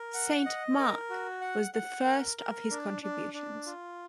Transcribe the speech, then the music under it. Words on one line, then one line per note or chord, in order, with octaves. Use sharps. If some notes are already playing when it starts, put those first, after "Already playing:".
"Saint Mark" was the first of his contributions.
Already playing: A#4
F#5
D#5
A#4
F#4
F#5
F#5
A#4
A#4
D4
D4
D4
F4